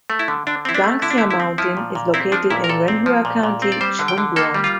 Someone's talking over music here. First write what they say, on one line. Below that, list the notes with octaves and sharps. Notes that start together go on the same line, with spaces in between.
Danxia Mountain is located in Renhua County, Shaoguan.
A3
E4
D3
D3 D4
C4 E4
D4
A3
D3 E4
D4
E4
D3
E4
C4
F3 E4
A#2
A#2
C4 E4
F3 D4
A#2 E4
A#4
A#2 A4
C4
F3
A#2
A#2
C4
D5
G3 C5
D3
G5
D3
A#3 A4
G3
F4